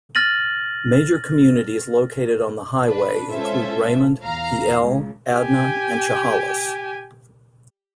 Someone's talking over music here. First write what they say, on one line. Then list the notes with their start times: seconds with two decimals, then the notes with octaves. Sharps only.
Major communities located on the highway include Raymond, Pe Ell, Adna and Chehalis.
0.15 F6 A6 A#6 D#7 F#7
2.84 D4 B4
3.30 G#3 C#4 F4 A4 C5 E5
4.23 E2 F5 A#5
4.82 C#2
5.32 G4 G#5